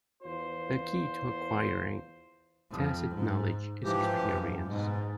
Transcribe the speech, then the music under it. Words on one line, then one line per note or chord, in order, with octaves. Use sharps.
The key to acquiring tacit knowledge is experience.
E2 F4 C5
F2
G#2
G#2 E3 F3 G4
F#2
G#2 B2